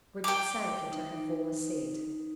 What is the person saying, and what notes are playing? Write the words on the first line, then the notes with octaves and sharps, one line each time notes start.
Bridget sank into her former seat.
G5 D6
D#4